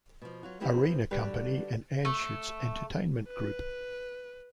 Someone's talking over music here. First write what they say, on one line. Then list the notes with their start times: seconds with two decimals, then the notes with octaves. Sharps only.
Arena Company and Anschutz Entertainment Group.
0.22 B2 F3
0.43 F#3 F4 F#4
0.60 E3 F3 C4 E4 G4 B4
1.11 D3 G3 F#4 G4 B4
2.05 A3
3.28 B4